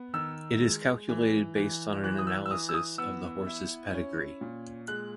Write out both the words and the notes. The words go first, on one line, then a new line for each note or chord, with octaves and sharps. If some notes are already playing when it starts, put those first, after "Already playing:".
It is calculated based on an analysis of the horse's pedigree.
Already playing: B3
D#3 E6
G#3
E3
E3
E3 F#6
D#6
E6
E6
E3 D#6
E6
D#6
B3 E6
E4
C#4
A#2
G#3 F#6